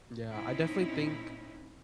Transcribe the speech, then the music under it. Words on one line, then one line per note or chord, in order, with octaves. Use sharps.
Yeah, I definitely think
A#2 C4 C#4 D#4 E4